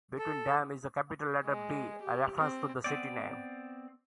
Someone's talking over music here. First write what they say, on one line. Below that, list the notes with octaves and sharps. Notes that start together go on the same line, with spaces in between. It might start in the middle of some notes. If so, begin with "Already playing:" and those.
Between them is the capital letter B, a reference to the city name.
A4
G#3
G4
C4
B3 C4 D5